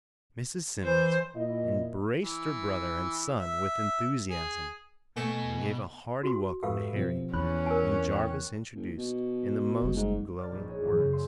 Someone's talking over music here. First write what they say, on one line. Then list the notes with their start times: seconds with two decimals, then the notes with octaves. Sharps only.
Mrs. Simmons embraced her brother and son with enthusiasm, and gave a hearty welcome to Harry, whom Jarvis introduced in the most glowing words.
0.83 E3 C5
1.35 A#2 E4 D#5
2.21 E3
3.38 E5
4.30 G#4
5.17 B2 A3 G#5 C#6
6.23 F#4 C6
6.63 G#2 G4 A4 B4 E5 F5
6.92 B2 F3 C4
7.34 E2 C#4 B5 F#6
7.66 A#4 G#5
8.15 G5
8.75 F#1
8.97 B2
9.81 F#1 G3
9.96 G#2
10.39 D5 F6 A6
10.51 A#1 D4 D#4 B4
10.66 F#4 G#4 C#5
10.83 G#2 E3 F#3
10.98 F#2 C#3
11.13 C#4 E5 C6